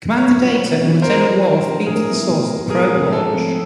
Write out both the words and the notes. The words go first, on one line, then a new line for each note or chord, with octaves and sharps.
Commander Data, and Lieutenant Worf beam to the source of the probe launch.
B2 B4 C#5
F#3 B3 D4 F4
B2
F#3 B3 D4 F4
G2 A#4 C5
D3 F3
G2
D3 F3
A2 G#4 A#4
F#3 B3 E4
A2
F#3 B3 E4
G#2 G#4 A#4
F3 A3 C4
G#2 A4
F3 A3 C4